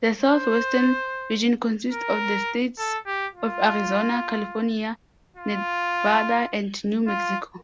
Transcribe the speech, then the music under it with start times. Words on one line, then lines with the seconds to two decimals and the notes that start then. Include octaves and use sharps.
The Southwestern Region consists of the states of Arizona, California, Nevada, and New Mexico.
0.20 C5
1.92 A#4
2.78 A4
3.07 G4
3.35 F4
5.37 F4
7.08 F4